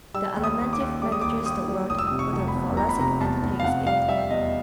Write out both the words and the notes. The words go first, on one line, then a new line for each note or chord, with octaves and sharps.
The Alimentive manages the world but the Thoracic entertains it.
G3 E6
D#2
D#6
D#2
D6
D#2
G3 D6
D#6
D#2 D6
D#2 D#6
G3
F1 D#6
E6
C3 D#6
C#6
F1
B5
E2
F1 A#5
B5
C3 A#5
E2 A5
F1
F5
C3 F#5
G3 F5
G3 E5
E2 D#5